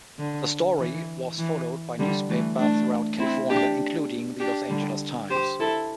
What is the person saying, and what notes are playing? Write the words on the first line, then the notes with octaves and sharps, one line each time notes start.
The story was followed by newspapers throughout California, including the "Los Angeles Times".
D3
E3
E3
D3 G3
E3 A3
A3 D4
C4 E4
D4 G4
D4 G4
D3 G3
G4 C5
E4 A4